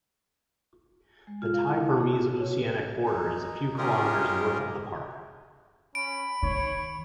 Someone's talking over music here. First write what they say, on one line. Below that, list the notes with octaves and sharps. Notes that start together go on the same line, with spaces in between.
The Thai-Burmese oceanic border is a few kilometers north of the park.
G#3
F4
F5
E4
A5
G#4
F#4
C#5
B4
D#4
G#3 C#4 F4 G4 G#4 A#4
C#4 B5 D7
D#3 C#5